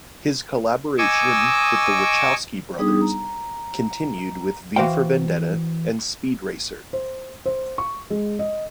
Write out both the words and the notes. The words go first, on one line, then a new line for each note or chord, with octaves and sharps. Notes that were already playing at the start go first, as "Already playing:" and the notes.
His collaboration with the Wachowski brothers continued with "V for Vendetta" and "Speed Racer".
D#5 G#5 C#6 D6 E6
G3 B3 D4 D#4 G#4 D#6
A#5
E3 F#4 C5 F5 G5
C5
C5
C#6
G#3
D#5